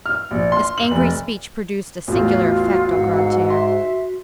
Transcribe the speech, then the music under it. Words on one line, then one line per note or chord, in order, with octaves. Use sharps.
This angry speech produced a singular effect on Grantaire.
F6
A#1
C6
F#7
F1
A1 E2 A2 F4 F#4
G#2 F5 F#5 E6
E5 C6